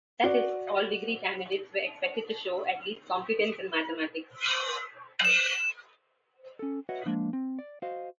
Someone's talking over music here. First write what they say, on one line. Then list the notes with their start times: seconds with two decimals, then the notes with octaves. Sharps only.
That is, all degree candidates were expected to show at least competence in mathematics.
0.24 F#4 D5
5.25 E7
6.59 C#4 A4
6.89 F#4 B4 C#5 D#5 E5 F#5
7.06 F3 G#3 A#3 D4
7.33 C4
7.59 D5
7.82 F#4 C5 D#5 F5